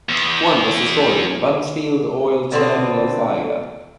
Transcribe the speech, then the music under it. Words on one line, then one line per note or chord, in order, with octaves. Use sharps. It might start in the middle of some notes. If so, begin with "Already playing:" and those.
One was destroyed in the Buncefield Oil Terminal Fire.
E2
B2 D3 C4